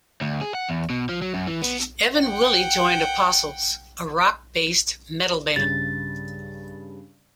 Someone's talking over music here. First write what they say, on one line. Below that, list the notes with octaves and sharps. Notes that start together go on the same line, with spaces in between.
Evan Willey joined Apostles, a rock-based metal band.
D2
G#4
F#5
E2
B2
F3
F#3
F#2
E3
B3
F#5 G5
G2 C#3 A6